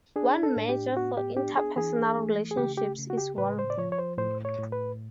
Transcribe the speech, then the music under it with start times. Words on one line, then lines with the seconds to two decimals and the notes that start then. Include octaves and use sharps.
One measure for interpersonal relationships is "warmth".
0.16 D4 G#4
0.43 A4
0.56 A2
0.69 G4
0.96 B3 F#4
1.17 G4
1.36 D4 G4
1.57 G#4
1.76 E3 G#4
2.17 A3
2.51 G#4
2.57 C#3 G4
2.77 G4
2.98 C#3
3.10 F#4
3.17 G4
3.38 A2 B4
3.59 C5
3.70 D5
3.78 F3 C#5
3.92 C#5
3.99 C5
4.18 A2 C5
4.45 C#5
4.59 A2
4.72 B4